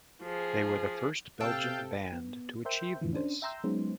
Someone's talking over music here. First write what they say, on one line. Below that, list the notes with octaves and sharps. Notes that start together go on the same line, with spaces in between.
They were the first Belgian band to achieve this.
F3 G#4
C3 A4 F5 G5 A5
B3
A#4 C5 E5 G5 C6 G6
F2 A2 D3 E3 F3
C#4 D4 C5
E5 G5 A#5 C6 E6 G6
F#3 G#3 B3 C#4 D#4 C5